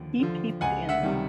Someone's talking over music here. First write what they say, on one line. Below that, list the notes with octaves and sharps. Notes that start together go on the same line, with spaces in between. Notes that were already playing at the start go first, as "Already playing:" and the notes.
He peeped in.
Already playing: D#2 D3 F3
D3 F3
C#2 F#5 G#5
E5 F#5
C3 D#3 G3